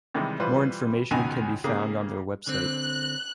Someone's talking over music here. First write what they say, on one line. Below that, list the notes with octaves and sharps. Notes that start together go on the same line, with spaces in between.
More information can be found on their website.
C3 D#3 E3 G3 G#3
E3 G3 F4 B4 C5
C#2 F#2 B2 D#3 D#4 G#5
C#3 A#3 G4 G#4
D3 C4 F#6